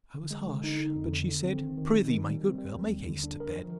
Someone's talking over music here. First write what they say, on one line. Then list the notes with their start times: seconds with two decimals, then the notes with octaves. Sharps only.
I was hush; but she said, Pr'ythee, my good girl, make haste to bed.
0.15 D3
0.31 G#3
0.47 D3
0.64 D#4
0.79 D3
0.96 F2
1.13 D3
1.29 D3
1.45 C4
1.61 D#3
1.77 D#3
1.93 G3
2.10 D#3
2.26 G3
2.43 C4
2.59 G3
2.75 D#2
2.91 D#2
3.07 D3
3.24 D4
3.40 A#4
3.56 F3